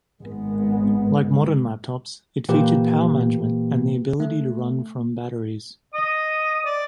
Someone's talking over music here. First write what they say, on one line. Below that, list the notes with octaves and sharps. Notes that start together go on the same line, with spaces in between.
Like modern laptops, it featured power management and the ability to run from batteries.
G#1 G#3 B3
A#2 E3 A#3 G4 B4
A3
D#5 D#6
D5